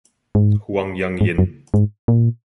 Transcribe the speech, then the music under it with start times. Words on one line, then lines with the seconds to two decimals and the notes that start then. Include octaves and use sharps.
Huang Yang Yin.
0.35 G#2
1.21 G#2
1.38 F#2
1.74 G#2
2.08 A#2